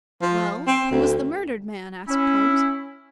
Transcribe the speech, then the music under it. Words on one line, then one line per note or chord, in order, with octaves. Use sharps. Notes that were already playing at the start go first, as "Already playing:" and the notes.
"Well, who was the murdered man?" asked Holmes.
F3
C4
D2
C#4 E4